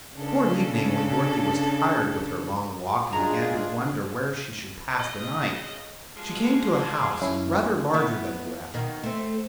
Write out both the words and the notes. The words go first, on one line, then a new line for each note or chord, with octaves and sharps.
Toward evening, when Dorothy was tired with her long walk and began to wonder where she should pass the night, she came to a house rather larger than the rest.
C#3 D4 A4
F#2 G#3 D4 F4 G#4 A#5
C#3 D#5
F3 G3 G#3
F#2 C#4 E4
B3 E4
B2 D#3
A3 C4